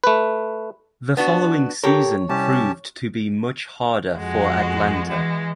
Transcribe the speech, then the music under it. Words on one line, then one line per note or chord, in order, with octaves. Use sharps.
The following season proved to be much harder for Atalanta.
A3 B4
B3 D4 F#4
G4 A4 A#4 C#5
C2 C#4 G4 A5
F2 G#3 F#4
E3 G#3